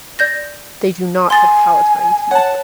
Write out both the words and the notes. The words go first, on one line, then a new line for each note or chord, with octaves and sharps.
They do not have palatine teeth.
D5 G6 A#6
G#5 C6 A6
C#5 F#5 A5